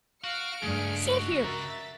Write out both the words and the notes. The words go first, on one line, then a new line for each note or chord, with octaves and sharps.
See here.
F#4 F5 F6 C#7 D7
C#2 G2 A3 G#4
F#4
A#4 E5 A6